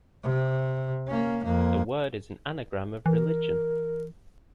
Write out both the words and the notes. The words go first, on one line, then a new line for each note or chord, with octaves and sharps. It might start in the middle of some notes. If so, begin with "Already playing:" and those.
The word is an anagram of "religion".
C3
A#3 C#4
F2 A#3
E3 A#4